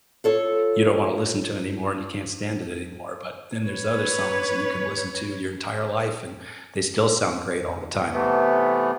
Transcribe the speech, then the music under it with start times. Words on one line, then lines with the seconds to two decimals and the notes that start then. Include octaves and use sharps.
you don't want to listen to anymore and you can't stand it anymore, but then there's other songs that you can listen to your entire life, and they still sound great all the time.
0.24 F4 A4 C#5
3.67 B4 C#5
8.11 C3 E3 A3 B3